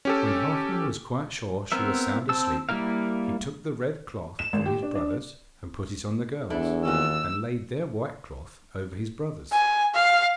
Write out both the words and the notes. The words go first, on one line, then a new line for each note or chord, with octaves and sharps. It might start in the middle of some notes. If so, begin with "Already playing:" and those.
When Halfman was quite sure she was sound asleep, he took the red cloth from his brothers and put it on the girls, and laid their white cloth over his brothers.
C#4 G4 A4
B3 C4 A#4 E5
C4 A5 E6
G3 A#3 E4 A#4 F5
E7
G#1
G4
D4
D4
E2 D4 E4 A4
D#2 C#4 F4 F#4 E6
G#5
F5